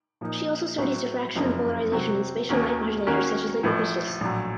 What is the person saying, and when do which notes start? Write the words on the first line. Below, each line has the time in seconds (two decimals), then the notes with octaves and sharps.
She also studies diffraction and polarization in spatial light modulators such as liquid crystals.
0.21 A#2 F3 A#3 D#4
0.78 A2 F#3 C4 F#4 C5
1.35 F#1 F2 C#3 F3 A#3
1.92 C3 F#3 C4 F#4
2.49 D#2 D#3 A#3 C#4 F#4
3.07 D#3 A#3 C#4 F#4 A#4
3.63 A1 A2 F3
4.21 A#1 A2 F#3